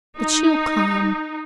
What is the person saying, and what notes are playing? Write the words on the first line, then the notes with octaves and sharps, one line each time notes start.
But she'll come.
D#4